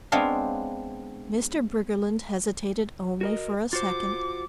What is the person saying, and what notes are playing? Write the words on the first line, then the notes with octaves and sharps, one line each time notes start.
Mr. Briggerland hesitated only for a second.
G#3 B3 C4 D4 C#5 F5
F#4 A#4 D#5
F4 F#4 C5 D6